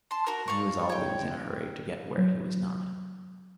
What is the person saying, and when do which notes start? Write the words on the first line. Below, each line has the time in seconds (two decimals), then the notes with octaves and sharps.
And he was always in a hurry to get where he was not.
0.11 A5 C6
0.27 F#4 A#4
0.48 D5 F5 C#6
0.89 C#5 G5
2.18 F#3